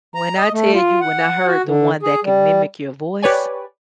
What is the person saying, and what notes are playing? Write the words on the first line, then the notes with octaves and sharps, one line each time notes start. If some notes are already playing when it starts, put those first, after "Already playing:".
When I tell you, when I heard the one that can mimic your voice,
A#5
D#5
A3
F4
F#5
F#4
D3
G#4
G3
G4 B4 C#5 D5 G#5